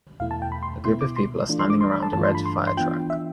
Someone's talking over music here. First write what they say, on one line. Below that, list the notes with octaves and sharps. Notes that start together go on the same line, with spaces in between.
A group of people are standing around a red firetruck.
E2 B2 A3 E4 F5
A5
G5
B5
C6
B2 B3 E4 C6
D6
C6
E3 A3 D4 F4
C6
D6
C6
B5
A5
G2 E3 A3 D4 F4 A5
C6
B5
C6
C6
E3 B3 D4 F4 G5
E5